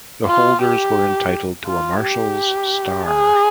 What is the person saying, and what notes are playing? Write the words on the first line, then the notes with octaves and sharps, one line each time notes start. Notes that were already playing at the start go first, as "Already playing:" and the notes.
The holders were entitled to a marshal's star.
F4
G4
F4
G4
G#4